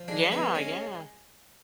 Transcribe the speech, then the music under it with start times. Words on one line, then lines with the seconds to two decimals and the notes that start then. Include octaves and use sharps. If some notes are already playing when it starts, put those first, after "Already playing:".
Yeah, yeah.
Already playing: F3
0.08 G#3 D4
0.32 G#3 B3
0.55 G#3 C#4